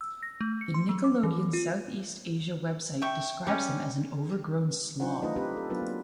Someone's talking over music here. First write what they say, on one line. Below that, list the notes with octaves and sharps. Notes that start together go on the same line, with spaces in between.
The Nickelodeon South East Asia website describes him as an overgrown slob.
E6
A#6
A3
C#7
C6
F#3
D6
E3
F4
E5 G5 C#6
G3 C#4
F#3 D4 D#4 F4 C5 F#5
A3 D#4 F4 A4 B4 D#5
C4 D#4 G4 B4
A4
F#3 B3 D4 F4 A#4 B4
A#3